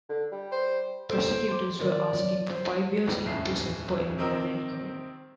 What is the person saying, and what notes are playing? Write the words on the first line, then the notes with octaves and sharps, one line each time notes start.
Prosecutors were asking for five years in prison for Emelianenko.
D3
G3
C5
A4 C5 D7
C6 D6
D#3 A#4 D5
F#3
C5
D#1 F2 A2 C#3 E5 C7
C3 D#3 C4 A#4 D#5 E6